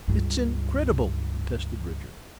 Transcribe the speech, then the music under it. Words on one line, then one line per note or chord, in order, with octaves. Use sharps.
"It's incredible!" protested Richard.
C#2 G2